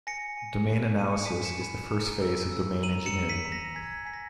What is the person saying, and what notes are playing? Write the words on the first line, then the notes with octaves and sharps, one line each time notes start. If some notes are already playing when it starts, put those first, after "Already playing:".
Domain analysis is the first phase of domain engineering.
G#5 A#6 C#7
G#5
F#6
F#6 D#7
C#7
G#5 B6 D#7
C#7 E7
B5
A#5
E6
E6
A#5 D#7 F#7
C#7 E7
E6
B6 D#7
A#5
A#6
G#5 G#6 B6
G#5 B6
A#6